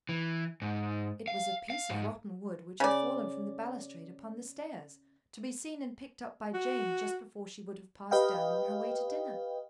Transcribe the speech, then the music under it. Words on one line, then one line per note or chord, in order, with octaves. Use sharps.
It was a piece of rotten wood which had fallen from the balustrade upon the stairs, to be seen and picked up by Jane just before she would have passed down on her way to dinner.
E3
G#2
F5
F5
G#2
C#3 D5
F#4
G4 B4 D#5 F5 G5